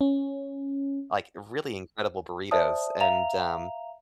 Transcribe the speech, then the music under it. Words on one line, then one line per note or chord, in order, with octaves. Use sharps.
like, really incredible burritos, and, um,
C#4
C5 D5 E5 A5 D#6
E5 F5 A#5 F7